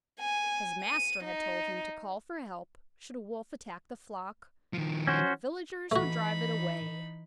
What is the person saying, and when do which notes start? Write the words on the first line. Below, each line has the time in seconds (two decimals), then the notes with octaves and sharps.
His Master had told him to call for help should a Wolf attack the flock, and the Villagers would drive it away.
0.19 G#5
0.82 D#7
1.24 D#4
4.73 D#3 F3
5.07 C#4 F#4 C5
5.91 E3 A3 D#4 F#4 B5